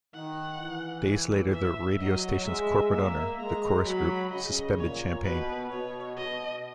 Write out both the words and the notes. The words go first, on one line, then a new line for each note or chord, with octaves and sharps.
Days later, the radio station's corporate owner, the Corus Group, suspended Champagne.
D#3 F#5
E3
E5
F#3 D#5
G#3 E5
A#3 E5
G#3 A#5
F#3 B5
C#3 D#5
A#2 C#5
B2 B4
B2 C#5
B2 D#5